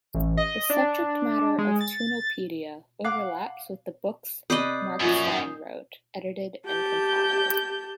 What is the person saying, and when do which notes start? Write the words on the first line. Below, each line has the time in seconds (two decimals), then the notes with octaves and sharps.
The subject matter of Toonopedia overlaps with the books Markstein wrote, edited and compiled.
0.14 A1
0.37 D#5
0.70 D4
1.58 G#3
1.80 A6
3.04 F5 F#5 D6
4.50 C3 B4 D5 D#5 D#6 G6 C7
5.01 F#2 A#2 F3
6.66 G4 A5 G6